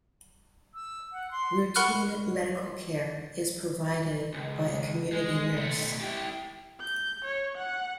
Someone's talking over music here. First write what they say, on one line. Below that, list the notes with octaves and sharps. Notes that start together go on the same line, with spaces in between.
Routine medical care is provided by a community nurse.
E6
F#5
C6
A#4 F#5 B5 C#6 F6 F#6
C#2
G#3
B1 A3
E4 G4
G6
C#5
F#5